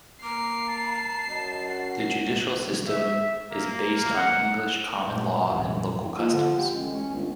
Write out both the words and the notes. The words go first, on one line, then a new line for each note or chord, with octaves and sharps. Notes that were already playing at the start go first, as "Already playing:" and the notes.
The judicial system is based on English common law and local customs.
A#3 A#5 D6 C7
A5
F#2 D#5
F#5
E5
A#3
F#5
F#2 A#2 F#3
A#1 F2 G#2 C3 E3
F3 A#3
D3
G4
A1 G#3
C#4
G1 C#2